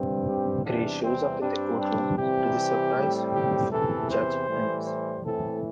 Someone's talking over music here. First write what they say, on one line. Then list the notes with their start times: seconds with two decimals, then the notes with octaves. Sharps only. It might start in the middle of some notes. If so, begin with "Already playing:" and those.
Gray shows up in the courtroom, to the surprise of Judge Helms.
Already playing: G2 G3 C4
0.27 G4
0.64 E2 C3 E3 G3 D4
1.04 C4
1.42 G2 G3 C4 D4
1.80 D4
2.18 C3 E3 G3 C4 G4
2.96 A2 G3 C4
3.33 G4
3.72 E2 C3 E3 A4
4.10 C5
4.49 A2 E3 G3
4.87 C5
5.25 A2 E3 C4 A4